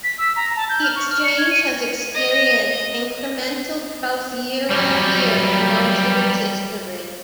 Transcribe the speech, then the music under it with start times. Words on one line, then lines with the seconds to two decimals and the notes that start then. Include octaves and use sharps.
The Exchange has experienced incremental growth, year-on-year for most of its history.
0.04 B6
0.18 E6
0.36 A#5
0.56 A5
0.69 G6
0.83 F6
0.96 C#6
1.09 F6
1.24 C#7
1.38 G#6
1.51 D#7
2.15 D#5
4.70 F#3 G3